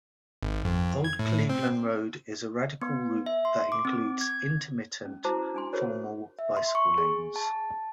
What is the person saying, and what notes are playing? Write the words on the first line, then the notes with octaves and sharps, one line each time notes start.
Old Cleveland Road is a radial route that includes intermittent, formal bicycle lanes.
G#1
F2
G#6
A2
C4
B3
E5
C6
D6
C4
G#6
C#4
E4 F#4 C5 A5 A#5 D6
D4 G#5 C6
F4 F#4 G#4 A#4 C5 C#5
E5
C6
C#6
G#4
A5